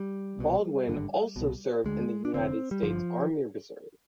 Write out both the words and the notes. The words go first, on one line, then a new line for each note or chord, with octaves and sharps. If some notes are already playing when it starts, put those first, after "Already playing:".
Baldwin also served in the United States Army Reserve.
Already playing: G3
C2 B2
G#1 G2 D3
C2 B2
D2 D3 G#3
D4
F1 D#2 D3 C4
G3
G1 G2 D3 F3